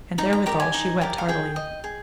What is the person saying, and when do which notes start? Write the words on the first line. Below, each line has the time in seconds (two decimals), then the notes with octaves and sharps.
And therewithal she wept heartily.
0.18 D#4 A#5
0.33 A#5
0.46 G4 A#4 D5 A#5
0.60 G#5
0.74 D#4
1.01 G4 A#4 D5
1.18 F5
1.28 G#4 G5
1.56 D#5
1.84 G#4